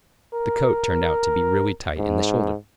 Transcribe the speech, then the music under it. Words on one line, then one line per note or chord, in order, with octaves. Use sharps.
But the coat turned out to be really tight in the shoulders.
A#4
G#2